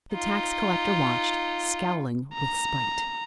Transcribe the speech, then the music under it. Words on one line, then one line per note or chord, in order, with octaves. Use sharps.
The tax-collector watched, scowling with spite....
D#4 F4
A#5